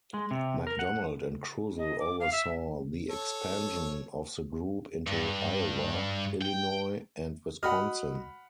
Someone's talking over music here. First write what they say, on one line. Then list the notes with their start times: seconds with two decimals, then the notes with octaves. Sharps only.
McDonald and Kruzel oversaw the expansion of the group into Iowa, Illinois, and Wisconsin.
0.14 G#3
0.31 C3
0.67 A#4
0.79 F#5
1.78 D#5
2.00 D6
2.20 F5
2.32 E5
3.10 A4 C#5
5.07 G2
6.41 G5
7.63 F#4 D#5 F#5 B5 F6